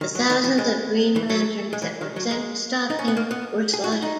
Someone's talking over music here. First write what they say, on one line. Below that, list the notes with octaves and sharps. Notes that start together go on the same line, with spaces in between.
The thousands of Green Lanterns that were sent to stop him were slaughtered.
D#3
F#3
D#3
E3
G#3
E3
F#3
G#3
E3
D#3
F#3
G#3
D#4
C#4
B3
A#3
B3
G#4
F#4
E4
D#4